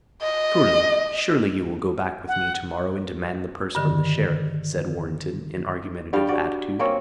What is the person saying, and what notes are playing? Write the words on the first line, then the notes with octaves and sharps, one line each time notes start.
"Surely, surely, you will go back with me to-morrow and demand the purse from the Sheriff?" said Warrenton, in argumentative attitude.
D#5
F#5
G2 D3 D#3
G2 G3 F5 G5
F#4 D5
A#3 C4 C#4 C#5